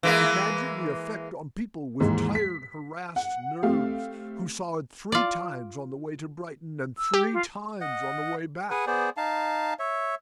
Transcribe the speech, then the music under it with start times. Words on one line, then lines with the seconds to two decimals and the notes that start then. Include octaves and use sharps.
Imagine the effect on people with tired, harassed nerves who saw it three times on the way to Brighton and three times on the way back.
0.03 E3 G#3 A#3
2.00 D#2 G#2 E3 G#3
2.35 B6
3.16 F#5
3.63 A3 C4 G4 F5
5.12 F4 D5
6.98 E6
7.14 G4
7.33 F4
7.81 D#5 F#5
8.71 G#4 B4 F#5 G#5
8.87 B3 G#4 C5 D5
9.17 D#4 F5 A5
9.79 C#5 E5